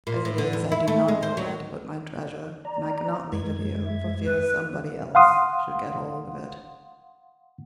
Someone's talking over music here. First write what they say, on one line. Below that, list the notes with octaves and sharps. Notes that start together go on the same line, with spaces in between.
As it is I do not know where to put my treasure, and I cannot leave it here for fear somebody else should get hold of it.
A#2
A2
D3
E2
E4
A3
G#3
C5
F#3
D5 A#5
F#2 G#3 G#6
E5
B4
F5 F#5 C6 D#6